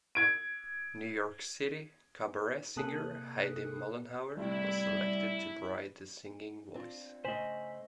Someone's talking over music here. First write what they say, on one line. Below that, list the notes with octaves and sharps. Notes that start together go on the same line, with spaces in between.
New York City cabaret singer Heidi Mollenhauer was selected to provide the singing voice.
G#6 D7
C3 A#3 G#4 A4 D#6 F#6
A2 C3 G3 A3 E4
C4 D4 F4
C#3 A3 C5 D#5 G#5 B6 F#7